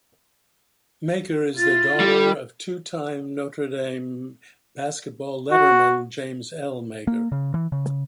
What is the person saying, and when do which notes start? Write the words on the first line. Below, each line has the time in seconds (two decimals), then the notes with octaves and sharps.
Meagher is the daughter of two-time Notre Dame basketball letterman James L. Meagher.
1.58 E4 F4 A6
2.00 G3
5.51 F#4
7.07 A#3
7.32 C#3
7.54 E3
7.72 C#3